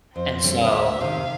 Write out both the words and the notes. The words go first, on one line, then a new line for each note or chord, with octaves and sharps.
And so,
F2 C5
D3 G3 C4 C#5
D2 E5
C3 D#3 F5